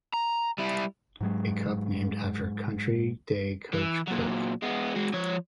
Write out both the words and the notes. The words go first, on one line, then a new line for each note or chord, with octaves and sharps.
The cup named after Country Day coach Cook.
A#5
G3 E4
G#2 F#3 G#3
E3
A#2 F#3
G#3 B3
G#3 F#4
F3 C#5